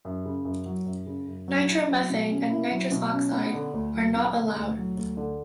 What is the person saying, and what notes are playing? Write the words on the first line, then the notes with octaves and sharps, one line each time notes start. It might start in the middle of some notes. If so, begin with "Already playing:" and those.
Nitromethane and nitrous oxide are not allowed.
F#2
C#3
F#2
F#3
F#2
C#3
F#2
F#3
E4
F#3
B2
C#4
E4
F#3
B2
C#4
B3
D3
D2
F#3
B3
D3
D2
F#3
D2
D3